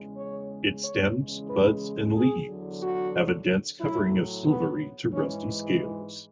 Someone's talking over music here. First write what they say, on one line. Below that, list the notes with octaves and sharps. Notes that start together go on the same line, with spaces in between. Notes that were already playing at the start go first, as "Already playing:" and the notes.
Its stems, buds, and leaves have a dense covering of silvery to rusty scales.
Already playing: E2 C#3 G#3
C#5
C#5
E2 C#3 E3 G#3
B4
G#4
E2 D3 F#3
F#4
A2 F#3 E4
B3
G#2 E3 G#3 C#4